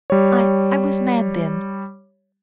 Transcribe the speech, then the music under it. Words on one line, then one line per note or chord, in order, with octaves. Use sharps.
I--I was mad then.
G3 C#5